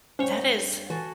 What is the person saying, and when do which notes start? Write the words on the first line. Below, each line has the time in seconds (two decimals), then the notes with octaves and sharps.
That is
0.19 G2 C#4 C5 C#5 G5
0.90 E3 F#4 A4 G#5